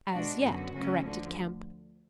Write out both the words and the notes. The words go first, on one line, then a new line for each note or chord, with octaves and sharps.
"As yet," corrected Kemp.
B2 G#3 D4 F#4
F#2 D3 F#3 B3 F#4
C#3 F#3 A3 C#4
D2 D3 F3 A3